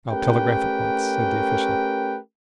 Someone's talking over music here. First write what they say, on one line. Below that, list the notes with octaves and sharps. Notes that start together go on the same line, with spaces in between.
"I'll telegraph at once," said the official.
A3 C#4 G4 A#4 B4 G5